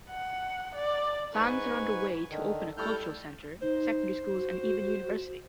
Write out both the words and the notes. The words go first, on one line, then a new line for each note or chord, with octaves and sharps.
Plans are underway to open a cultural center, secondary schools and even university.
F#5
D5
G#2 B4 G#5 C#6
D3 D#3
G3 A3 E4 A4 F6 G6
D#4 C5
F#4